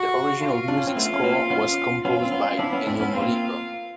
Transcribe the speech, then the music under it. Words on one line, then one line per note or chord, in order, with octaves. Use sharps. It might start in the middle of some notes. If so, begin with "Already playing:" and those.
The original music score was composed by Ennio Morricone.
Already playing: F#4
F4
D4
C#4
C4
A3 B3 F4
C#4
A#3 C4
B3 C#4
B3 C#4 F4
C4
B3 C#4
C4 D4 E4
B3 C#4
C4 D4
B3 C#4
A#3 C4 F4